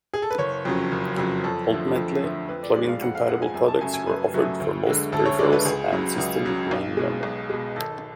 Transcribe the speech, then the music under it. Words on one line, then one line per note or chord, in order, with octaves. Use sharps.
Ultimately plug-compatible products were offered for most peripherals and system main memory.
G#4
A4
B4
F#1 C#5
F2 C#3 F#3
F#1
F2 C#3 F#3
F2 A4
D3 F3 A3
F2
D3 F3 A3
F2 B4
D5
F3 G#3 D5
F5
F2 F#5
F5
F3 G#3 F#5
G#5
F#2 G#5
A5
C#3 F#3 A3 G#5
G#5
F#2 B4
C#3 F#3 A3
D2
D3 G#3
D2 A4
C#5
D3 G#3 D5
B4
C#2 G#4
C#3 F#3
C#2
C#3 F#3
B1
B2 G#3
B1
B2 G#3
G#1 A4